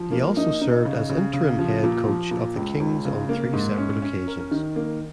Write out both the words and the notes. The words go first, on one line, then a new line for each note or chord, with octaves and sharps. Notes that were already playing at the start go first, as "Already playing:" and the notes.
He also served as interim head coach of the Kings on three separate occasions.
Already playing: F3
A#3
D#4
D#4
C#3
C#3
C#3
F3
A#2
F3
A#2
C#2
C#2
C#3
A#3
G#2
C#4
C#4
A#4
D#3
A#3